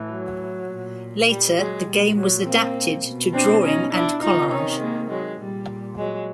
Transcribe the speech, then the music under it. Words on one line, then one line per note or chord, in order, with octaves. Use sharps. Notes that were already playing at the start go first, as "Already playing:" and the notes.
Later the game was adapted to drawing and collage.
Already playing: A2 E3
F#3
A#2
G3
F#3 G#3
A#2 G3
F#3
A#3 C4
B2
C4 D4
C#4 D#4
D4 E4
C3 D#3 D#4 F4
C#4 D#4
G#3 A#3
F#3 G#3
A#2 G3
F#3 G#3